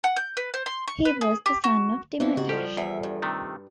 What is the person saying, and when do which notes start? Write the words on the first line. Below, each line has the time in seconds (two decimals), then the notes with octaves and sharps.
He was the son of Timurtash.
0.04 F#5
0.16 G6
0.37 B4
0.54 C5
0.66 C6
0.88 C#6
1.05 B4
1.21 G#4
1.46 G4
1.64 F#4
2.20 E3 F3 B3 C4 D4
2.37 G#2 C#3 F#4 G4
2.49 F3 G3 G4 A4
2.77 E2 E5
3.03 G2
3.22 C3 D#3 A3